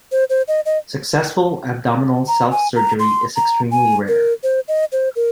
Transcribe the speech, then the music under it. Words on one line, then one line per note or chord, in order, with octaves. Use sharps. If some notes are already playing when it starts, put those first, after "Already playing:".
Successful abdominal self-surgery is extremely rare.
C5
C5
D#5
D#5
A#5
G#5
A#5
C6
A#5
G#5
A#4
C5
D#5
C5
A#4